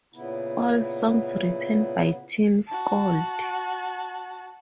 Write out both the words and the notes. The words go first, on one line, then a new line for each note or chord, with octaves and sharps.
All songs written by Tim Skold.
A#2 C#3 B3 E4
F#4 A5